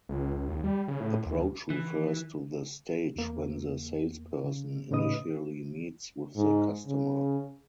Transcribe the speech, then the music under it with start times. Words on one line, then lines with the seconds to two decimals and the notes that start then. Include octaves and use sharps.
Approach-Refers to the stage when the salesperson initially meets with the customer.
0.09 C#2
0.34 C#2
0.48 D#2
0.64 G3
0.88 C#3
1.00 A2
1.26 D#2
1.70 E3
3.16 E2 A#3
4.44 C#3
4.91 A2 C#3 D#4 B4 D#5 D#6
6.37 G#2
6.87 C#3